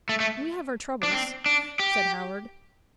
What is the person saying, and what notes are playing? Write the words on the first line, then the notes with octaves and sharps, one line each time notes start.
"We have our troubles," said Howard.
A3
A3
D4
C4
D4
G4